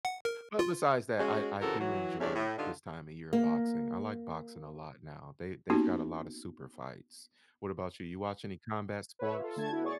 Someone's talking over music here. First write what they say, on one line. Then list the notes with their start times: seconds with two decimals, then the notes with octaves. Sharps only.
but besides that, I I do enjoy this time of year, of boxing I like boxing a lot now, they they've got a lotta super fights. What about you? You watch any combat sports?
0.05 F#5
0.25 A#4
0.59 F4
1.18 G#3 C#4 F#4
1.61 F2 C#3 E3 F#4 A4 A#4
1.79 E3 F#3
2.20 E2 G2 C3 A3 C#4 D4
2.34 A2
2.57 G2 D3 D4 D#4 F4
3.33 A#3
5.70 A#3 B3 C#4 D#4 F#4 G4
9.19 B4 C#5 E5
9.39 F4 A4
9.56 D3 A3 A5 G#6
9.70 B3 E4 F#4
9.84 G#4 C#5 D5 C#6 A6